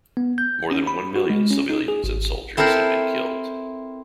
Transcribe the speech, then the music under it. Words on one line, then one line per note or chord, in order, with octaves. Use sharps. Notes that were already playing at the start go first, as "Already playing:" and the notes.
More than one million civilians and soldiers had been killed.
B3
G6
C#4
B5
F#4
G#3
C#4
D#4
G#4
G#1
C4 E4 A4 A#4 C5 B5